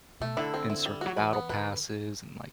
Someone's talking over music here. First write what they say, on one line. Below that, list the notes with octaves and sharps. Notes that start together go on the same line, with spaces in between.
insert the battle passes and, like,
B2 A3
D3 E4
C4
E4
G3
F#3 F#4
E3 B4
B3
D3 B4